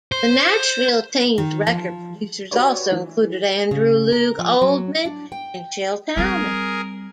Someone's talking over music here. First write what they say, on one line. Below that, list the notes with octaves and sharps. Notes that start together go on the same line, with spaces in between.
The Nashville Teens' record producers also included Andrew Loog Oldham and Shel Talmy.
C5
D#3
F3
F#4 G4 B4 C#5 D5
E3
C#3
A#4
F3
F#3
D4
G5
G3 C4 G#4 A#4